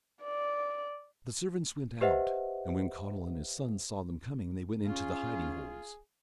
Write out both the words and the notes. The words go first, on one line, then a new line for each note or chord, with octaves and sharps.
The servants went out, and when Conall and his sons saw them coming they went into the hiding holes.
D5
G4 B4 C5 D#5 E5 F#5
C#4 F4 G#4